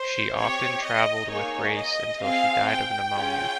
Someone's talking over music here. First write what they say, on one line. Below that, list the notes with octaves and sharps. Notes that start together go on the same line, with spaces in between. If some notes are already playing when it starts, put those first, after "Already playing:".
She often traveled with Race until she died of pneumonia.
Already playing: C5
C4 G4 C#5
D#5
A#3 D#4 G#4 C#5
D#5
C4 F4 G#4 F5
G5
C#4 F4 G#4